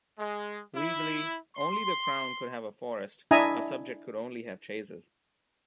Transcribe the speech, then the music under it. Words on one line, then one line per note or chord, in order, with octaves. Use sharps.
Legally, only the crown could have a forest, a subject could only have chases.
G#3
E4
C6
D4 E4 D#5 E5 G#5 A#5